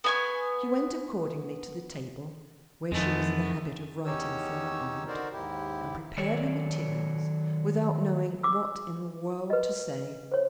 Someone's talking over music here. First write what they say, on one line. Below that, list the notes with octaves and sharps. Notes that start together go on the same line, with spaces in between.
She went accordingly to the table, where she was in the habit of writing for her aunt, and prepared her materials without knowing what in the world to say.
B3 G#5 C#6
F2 D#3 G#3 A3 B3
E2 C#4 D#4 G4 C#5 E6
D3 D#4 F#4 A#4 C5 D5
D#2 G#2 E4 G4
D#3 F#3 A4 C#5 D5
D6 E6
B4 D#5
C5 C#5